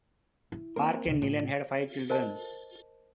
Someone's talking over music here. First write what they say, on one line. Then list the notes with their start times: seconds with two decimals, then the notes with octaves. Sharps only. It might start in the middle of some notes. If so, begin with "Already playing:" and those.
Park and Niland had five children.
0.52 E4
0.76 A#3 C4 A#4
1.05 D2 C#3
1.22 A2 F4
2.10 A#4 C5 D#5 A5